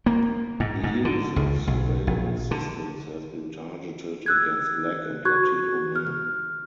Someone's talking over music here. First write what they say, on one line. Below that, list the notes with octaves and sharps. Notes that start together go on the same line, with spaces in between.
The use of surveillance systems has been targeted against black and Latino men.
A#3
G#2
G#2
D3
C#2
B1
A#1
D3
E6 F#6 G#6
F#4 C#6 F#6 G#6
F6